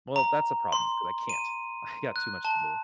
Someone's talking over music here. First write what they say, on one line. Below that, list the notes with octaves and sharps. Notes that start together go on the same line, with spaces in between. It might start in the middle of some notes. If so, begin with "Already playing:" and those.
Well, that's a problem 'cause I can't. I got too much to do.
A#5
C6
D#7
F#6
A5